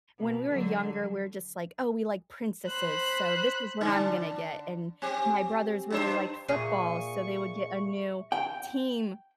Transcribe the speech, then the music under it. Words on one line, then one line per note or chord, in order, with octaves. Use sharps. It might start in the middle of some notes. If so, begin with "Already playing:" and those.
When we were younger, we're just like, "Oh, we like princesses, so this is what I'm gonna get," and my brothers really liked football, so they would get a new team
B2
D3 F#3
C5 B5 F#6
D3 D4
C4 G4
G2 D4 C5
A#2 G#4 E5 C#6
G5